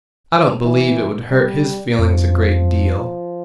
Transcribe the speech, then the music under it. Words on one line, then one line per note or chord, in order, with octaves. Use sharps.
"I don't believe it would hurt his feelings a great deal."
E3
G3
F2 F3